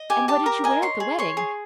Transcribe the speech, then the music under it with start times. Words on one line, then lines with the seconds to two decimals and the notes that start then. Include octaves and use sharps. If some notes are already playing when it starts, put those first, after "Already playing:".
"And what did you wear at the wedding?"
Already playing: D#5
0.10 G4 G#5
0.28 G4 A5
0.46 A#4 A#5
0.64 D#5 G#5
0.82 C#5 C6
1.00 G#4
1.19 C#5 C6
1.37 G#4